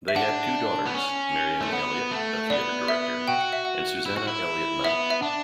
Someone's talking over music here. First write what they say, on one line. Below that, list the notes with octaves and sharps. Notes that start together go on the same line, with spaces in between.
They had two daughters - Marianne Elliott, a theatre director, and Susannah Elliott-Knight.
E5
D4 F#5
B3
C#4
A3
B3 F#5
A3
B3 D5
E5
F#4 G5
F#5
E5
F#5
E4
F#4
E4
B3 E5
E5
D4